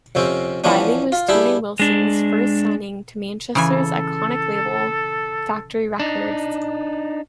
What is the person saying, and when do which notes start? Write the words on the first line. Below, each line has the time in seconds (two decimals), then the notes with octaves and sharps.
Reilly was Tony Wilson's first signing to Manchester's iconic label, Factory Records.
0.15 F2 C3 C4 C#4
0.64 E3 F3 B3 C#4 D4
1.12 F4
1.29 G3 D4 E4 G4 G#4
1.80 G#3 D4
3.55 C#3 E3 A4 G#5
6.00 D4 D#4